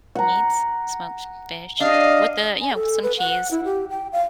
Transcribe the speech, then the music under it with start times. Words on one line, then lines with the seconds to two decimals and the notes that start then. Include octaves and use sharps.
Meats, smoked fish with the you know, some cheese
0.15 F#5 A#5
1.80 D4 G4 D#5 F5
2.61 G#5
2.74 A4
3.03 B4
3.18 F#5
3.51 E4
3.65 G4
3.90 G5
4.12 F5